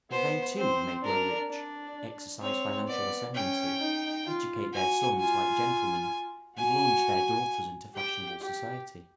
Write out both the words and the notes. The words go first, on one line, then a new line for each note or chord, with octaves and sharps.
For they too may grow rich, exercise financial ascendancy, educate their sons like gentlemen, and launch their daughters into fashionable society.
B3 C5
C4 C5
D4 A#4
D4
C4 C#5
B3 D5
C#4 G5
D#4
F4
F#4 G#5
F4 G#5
F#4 G#5
G4 G5
G4